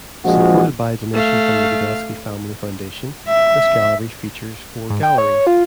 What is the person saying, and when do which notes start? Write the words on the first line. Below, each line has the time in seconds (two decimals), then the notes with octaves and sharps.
Supported by a donation from the Gudelsky Family Foundation, this gallery features four galleries.
0.25 A#1 F3 G#3 F#4
1.14 A3 F5
3.29 E5
4.90 G#2
5.03 G5
5.18 C#5
5.47 F4